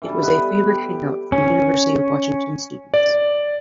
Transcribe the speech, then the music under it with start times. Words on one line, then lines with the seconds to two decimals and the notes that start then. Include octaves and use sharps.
It was a favored hangout for University of Washington students.
0.02 E3 G3 A4
0.22 B3 B4 D#5
0.65 G4 D6
1.32 C#4
2.94 D5